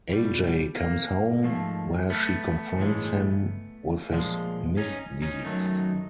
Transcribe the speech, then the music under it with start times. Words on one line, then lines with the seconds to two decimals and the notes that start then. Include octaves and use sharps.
Ajay comes home, where she confronts him with his misdeeds.
0.10 B2 G3
0.76 A#3
1.43 G#2 F3 A3
2.10 A3 B3
2.77 A2 E3 G#3
4.11 A#2 F3 G#3
4.77 C#4 D#4
5.22 C#4 D#4
5.44 F#2 D#3 F#3 A3